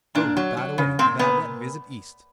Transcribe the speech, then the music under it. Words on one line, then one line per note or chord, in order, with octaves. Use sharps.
Oh, by the way--about that visit East.
A#2 D4
F#3
F#3
C#3
A#2 C4
A#2 B3